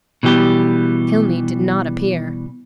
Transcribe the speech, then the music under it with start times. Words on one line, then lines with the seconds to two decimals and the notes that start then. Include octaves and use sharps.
Tilney did not appear.
0.23 B2 E3 G3 G4